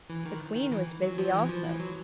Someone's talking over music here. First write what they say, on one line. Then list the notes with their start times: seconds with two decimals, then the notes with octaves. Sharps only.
The Queen was busy also.
0.10 E3
0.25 D#3
0.55 D#3
0.72 E3
1.02 F#3
1.18 F3
1.33 E3
1.49 F3
1.64 E3
1.79 F#3